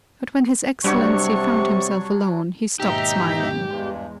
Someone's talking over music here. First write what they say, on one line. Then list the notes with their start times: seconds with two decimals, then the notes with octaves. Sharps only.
But when his Excellency found himself alone he stopped smiling.
0.84 C3 F#3 G3 D4 C#5 C#6
2.80 D#2 G#2 B2 D#4 G4 E5 A#5
3.67 E2 G2 G#3